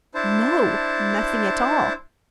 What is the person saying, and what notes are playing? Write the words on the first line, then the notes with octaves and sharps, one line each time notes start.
"No, nothing at all."
D4 E4 C5 A5